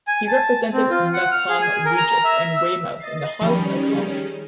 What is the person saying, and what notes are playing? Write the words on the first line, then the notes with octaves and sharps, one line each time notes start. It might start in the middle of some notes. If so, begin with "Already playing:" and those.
He represented Melcombe Regis and Weymouth in the House of Commons.
G#5
A5
C4
F4
F#5
F6
G#4
G#5
A#4
A#5
E5
D#5 A6 C7
D#3 F3 G3 C#4 G5 B5
G#4